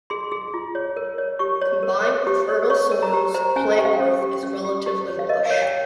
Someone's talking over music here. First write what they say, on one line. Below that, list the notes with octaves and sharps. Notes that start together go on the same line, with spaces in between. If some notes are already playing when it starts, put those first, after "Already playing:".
Combined with fertile soils, plant growth is relatively lush.
G#4 C6
G#4
F4
C#5
A#4
C#5
G4 C#6
C#5
A#4
C#5
G4
C#5
C#5 C#6
A#4
A#5
G4
C5 A#5
C#4 G#5
G4 G5
F5
G5
C#4
G4
C#4
G4
G4
C#5
F5
A#4 D#5
C#5 F5
G5